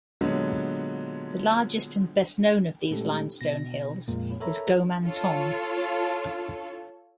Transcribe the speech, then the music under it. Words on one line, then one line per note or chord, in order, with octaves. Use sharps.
The largest and best known of these limestone hills is Gomantong.
A#2 D3 F#3 G#3 B3
A#2 G#3 A3 C#4 G4 A4
B2 A#6
F2 A#2 F3 G#3 A#3
A4 A#4 C#5 E5 A#5 B5
F4 A4 C#5